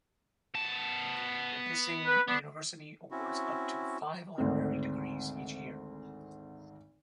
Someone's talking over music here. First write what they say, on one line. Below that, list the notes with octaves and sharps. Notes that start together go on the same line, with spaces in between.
Nipissing University awards up to five honorary degrees each year.
B3 A5
B4
B3 D4
C4 C#4 E4 F#4
G#1 D2 C4